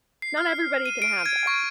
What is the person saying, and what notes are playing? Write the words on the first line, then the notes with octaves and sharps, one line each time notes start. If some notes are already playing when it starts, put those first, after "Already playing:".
not everybody can have that.
C7
F6
D#7
D7
G#6
C#6